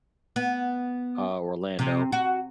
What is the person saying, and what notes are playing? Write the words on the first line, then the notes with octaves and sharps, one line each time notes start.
uh, Orlando.
B3
C3
F#4